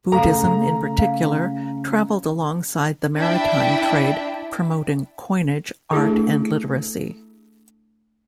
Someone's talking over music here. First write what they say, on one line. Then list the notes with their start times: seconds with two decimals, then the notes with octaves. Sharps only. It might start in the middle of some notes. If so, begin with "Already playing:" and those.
Buddhism, in particular, traveled alongside the maritime trade, promoting coinage, art and literacy.
0.12 C#3 A3 A4 F5 A#5
0.99 F5
3.17 D4 E4 E5 G5
5.92 A3 D4 E4 G#4 A4